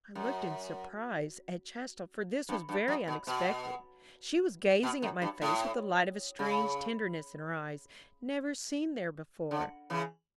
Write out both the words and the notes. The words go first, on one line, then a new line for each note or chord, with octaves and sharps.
I looked in surprise at Chastel, for this was very unexpected: she was gazing at my face with the light of a strange tenderness in her eyes, never seen there before.
F#2
G2
G2
F#2
B2
B2
B2
F#2
G2
A2
C#3
D3
C#3 E3